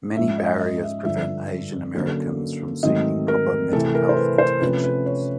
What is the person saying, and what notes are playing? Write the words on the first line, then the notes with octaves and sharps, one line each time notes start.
Many barriers prevent Asian Americans from seeking proper mental health interventions.
G#2 F3 G#3 C#4 E5
D#5
D#5
E5
G2 D3 F3 E5
D3 F#3 A#3 C#4
G#2 D#3 F#3 A3 C4 D#5
A#4
C3 E3 A3 C4 A4
A#4
C5
B4
C5
C3 F3 A3 C#4 B4
B4
C#5